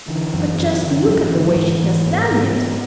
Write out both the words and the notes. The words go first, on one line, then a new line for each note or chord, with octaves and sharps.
But just look at the way she has done it!
D3 E3
F#2
F#2
D3
G#2 F#3
E3
G#2 D3
F#3
G#2 E3
G#2
G#2 B3
G#2
G#2 B3